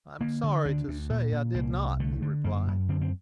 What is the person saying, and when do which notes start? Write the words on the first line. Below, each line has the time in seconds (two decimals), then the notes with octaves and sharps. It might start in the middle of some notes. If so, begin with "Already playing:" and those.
"I am sorry to say I did not," he replied.
0.21 D3 A#3
0.43 D3
0.65 D2 D4
0.88 D2
1.10 A#2
1.32 A#2
1.55 C2 A#3
1.77 C2
2.00 D3 A3
2.22 D3
2.44 F#2 A#3
2.67 F#2
2.89 D3 C4
3.01 C4